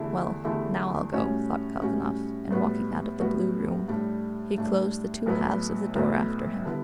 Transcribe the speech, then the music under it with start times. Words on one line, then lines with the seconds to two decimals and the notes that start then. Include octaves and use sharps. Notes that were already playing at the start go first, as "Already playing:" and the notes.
"Well, now I'll go," thought Kalganov, and walking out of the blue room, he closed the two halves of the door after him.
Already playing: E2 D3 A3 E4 G4
0.45 E2 D3 A3 E4 G4
1.13 A2 G3 C#4 F#4
1.82 A2 G3 C#4 F#4
2.51 A2 G3 B3 F#4
3.20 A2 G3 B3 F#4
3.88 A2 G3 D4
4.58 A2 G3 D4
5.26 B1 A2 F#3 B3
5.96 B1 A2 F#3 B3
6.65 D3 G3 B3 E4